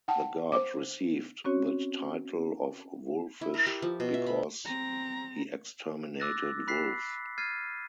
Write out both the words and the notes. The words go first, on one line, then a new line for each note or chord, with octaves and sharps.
The god received the title of Wolfish because he exterminated wolves.
F#5 G5 A5
C5 D6
C4 C#4 F#4 C#5
E4
A#4
G4
F3
B2
E5
B5
C4 A#5
D6 E6 F#6 A6 A#6
B5 F#6 B6 C7
F6 G#6 A6 C7 D#7